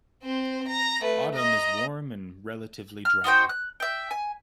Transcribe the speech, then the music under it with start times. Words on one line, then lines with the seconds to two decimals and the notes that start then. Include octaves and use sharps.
Autumn is warm and relatively dry.
0.23 C4 C5
0.68 A#5
1.01 A3 B4
1.35 D#5 A#5
3.05 F6
3.24 D#4 F#4 C5 G5
3.49 F#6
3.80 E5 G5
4.11 G#5